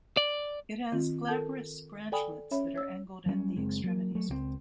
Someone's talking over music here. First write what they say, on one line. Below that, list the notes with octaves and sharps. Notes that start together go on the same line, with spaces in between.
It has glabrous branchlets that are angled at the extremities.
D5
D#3 C4 F4
A4 A#4 A5 G6
A4 D5 G5 G#5 B5 D#6
C#4 C#5 E5 B5
C#5 E6
F#3 G3 A#3 C#4
F#1 G#3 C4
F#3 A#3
F#3 A3
C#2 F3 C4